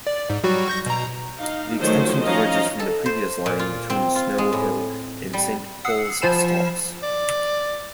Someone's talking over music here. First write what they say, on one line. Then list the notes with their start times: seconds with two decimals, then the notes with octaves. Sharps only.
The extension diverges from the previous line between Snow Hill and Saint Paul's stops.
0.07 D5
0.30 G#2
0.44 F#3 G3 F#4
0.68 C#6 G6 A#6
0.86 B2 A#5
1.39 D#4 F5
1.81 D#3 F3 F#3 A3 C5 C#5
2.25 F3 C#4 D#4 D#5 F5 A#5
2.79 A4
3.06 C5
3.46 A#2
3.59 F4
3.90 C4
4.16 F4
4.38 G#3
4.53 A2
5.33 G3
5.85 F#5 D#6 E6 C7 C#7
6.22 F3 F4 C5 G#5 B5 E7
7.03 D5